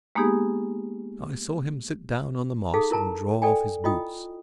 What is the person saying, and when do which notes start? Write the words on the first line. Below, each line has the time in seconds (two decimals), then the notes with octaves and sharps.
I saw him sit down on the moss and draw off his boots.
0.15 G#3 A#3 B3 D#4 G4 G#4
2.74 D#4 G#4 A4 F5 D#6
2.91 E4 A#4 A5 A#5
3.42 A4 D5 G5 G#5
3.84 E4 F4 D#5 G5 D#6